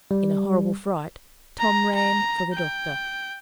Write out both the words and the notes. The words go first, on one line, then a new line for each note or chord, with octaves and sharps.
In a horrible fright, Tom ran for the doctor.
G3
A#5
A#5
G5